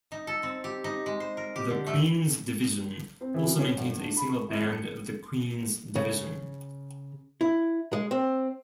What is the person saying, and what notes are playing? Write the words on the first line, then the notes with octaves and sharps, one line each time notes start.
The Queen's Division also maintains a single Band of the Queen's Division.
D#4
A4
C4
G4
D#4
G#3
C5
A#4
G4
D3
A3
C4
E3
F#3
C#4
G1
D4
B5
C#6
E4
G1
C#7
C#3
E4
G#3
C4